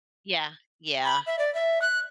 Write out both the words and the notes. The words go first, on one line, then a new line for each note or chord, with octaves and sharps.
Yeah, yeah.
B5
E5
D5
E5
F#6